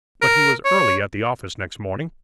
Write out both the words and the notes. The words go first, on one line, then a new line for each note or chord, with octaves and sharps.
But he was early at the office next morning.
A#4
C#5